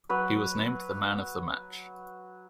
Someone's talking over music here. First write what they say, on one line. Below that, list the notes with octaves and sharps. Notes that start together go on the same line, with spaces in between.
He was named the Man of the Match.
F#3 B4